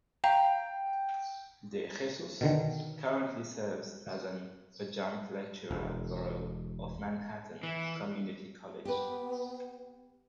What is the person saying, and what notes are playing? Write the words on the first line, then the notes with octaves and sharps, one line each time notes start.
De Jesus currently serves as an adjunct lecturer at Borough of Manhattan Community College.
F5 G5 A#5
B2 D3 D#3
E1
E3
B3 G4 B4